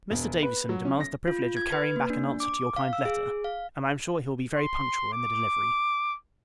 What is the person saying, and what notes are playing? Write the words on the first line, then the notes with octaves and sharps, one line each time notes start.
Mr. Davison demands the privilege of carrying back an answer to your kind letter; and, I am sure, he will be very punctual in the delivery.
E1
B4
F#3
C#4
A#6
F4
G#6
B4
A#3
D4
D6
F5
E6
G#4
F5
C6
D6